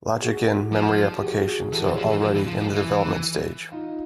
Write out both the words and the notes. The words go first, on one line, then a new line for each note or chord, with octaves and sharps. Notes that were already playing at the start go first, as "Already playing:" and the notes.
Logic-in memory applications are already in the development stage.
F#4 G#4
F3
G4
F#4 G#4
F#4 G#4
E3 G4 A4
E3
F#4 G#4
F3
E3
F3
E3
F3
F3
E3
D#4 F4